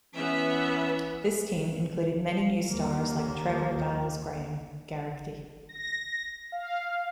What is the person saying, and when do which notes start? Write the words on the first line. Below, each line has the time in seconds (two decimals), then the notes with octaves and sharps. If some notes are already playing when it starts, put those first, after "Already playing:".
This team included many new stars like Trevor Giles Graham Geraghty.
0.15 E3 B3 C#4 E5
2.69 D#2 A#3
5.69 A#6
6.52 F5